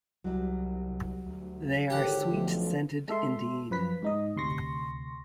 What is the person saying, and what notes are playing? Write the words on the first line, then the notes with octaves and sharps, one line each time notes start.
They are sweet scented indeed.
C2 F#3 G3
D2
G#1 D3 G4 A4 C#5 F#5
B1 F3 A3
G#3 A4 E5 C6
F#2 F3 B4 B6
G#2 D#4 D#5
D2 C3 C6 C#6 A#6